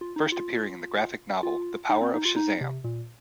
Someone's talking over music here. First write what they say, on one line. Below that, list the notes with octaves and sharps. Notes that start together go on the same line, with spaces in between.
First appearing in the graphic novel The Power of Shazam!
F4
D#4
F4
F4
D#4
C4
D#4
F4
D#4
C3
A#2